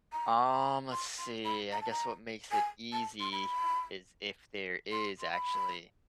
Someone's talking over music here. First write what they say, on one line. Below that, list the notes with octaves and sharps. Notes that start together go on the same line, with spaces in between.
Um, let's see, I guess what makes it easy is if there is actually,
A#5
B5
C6
C6
B5
A#5
A5
A#5
G#5
A5
C6
B5
C6
C6
B5